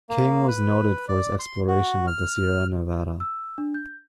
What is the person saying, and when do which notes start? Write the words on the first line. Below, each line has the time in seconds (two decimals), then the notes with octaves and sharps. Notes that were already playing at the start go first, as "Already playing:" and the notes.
King was noted for his exploration of the Sierra Nevada.
0.09 A#3
0.48 B4
1.08 D5
1.39 C6
1.68 F#4
2.07 F6
3.20 E6
3.58 D4
3.74 G6